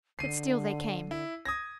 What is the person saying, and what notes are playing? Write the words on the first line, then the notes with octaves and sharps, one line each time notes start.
But still they came.
D3 C7 D#7
E4
D#6 G#6 A#6